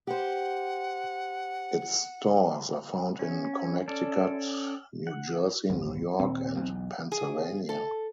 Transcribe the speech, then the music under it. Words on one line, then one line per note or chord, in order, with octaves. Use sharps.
Its stores are found in Connecticut, New Jersey, New York, and Pennsylvania.
G4 C5 F#5
C#4
C#4 A4 D5
F#5
A1 D2 G2
D#1 C4
B1 E2
G#4
A4